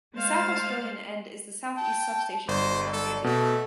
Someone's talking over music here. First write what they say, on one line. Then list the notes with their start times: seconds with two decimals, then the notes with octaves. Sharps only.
The South Australian end is the South East substation near Mount Gambier.
0.14 G#3 A3 C5 F5 A6
1.77 G5 A5
2.48 G1 C5 D5
2.93 A4
3.24 B2 A3 A4